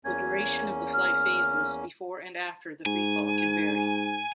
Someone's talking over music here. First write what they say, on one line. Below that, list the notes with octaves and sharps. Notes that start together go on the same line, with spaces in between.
The duration of the flight phases before and after the free-fall can vary.
E2 A#3 C#4 G#6
F6
G#2 G#5